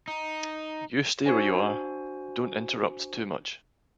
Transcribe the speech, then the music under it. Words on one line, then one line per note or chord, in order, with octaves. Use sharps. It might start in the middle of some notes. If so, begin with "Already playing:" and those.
You stay where you are — don't interrupt too much.
D#4
D4 F#4 C5 G#5